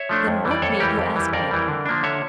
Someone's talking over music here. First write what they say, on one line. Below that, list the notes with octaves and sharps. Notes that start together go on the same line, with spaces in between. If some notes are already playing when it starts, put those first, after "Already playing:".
Then what made you ask me?
Already playing: C#5 E5
F3 A3 D4
F2
E3 G3
D5
F2 A4 C#5
E3 G3 G4 A#4
F2
E3 G3
F2 A#4 D5
E3 G3
D3
F3 A#3 D4
D3 C#5 E5